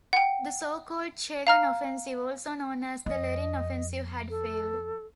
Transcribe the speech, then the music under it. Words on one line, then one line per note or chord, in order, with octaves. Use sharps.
The so-called Chegan Offensive, also known as the Lerin Offensive, had failed.
F#5 G5
F5 A#5 F6
F2 D#5
A4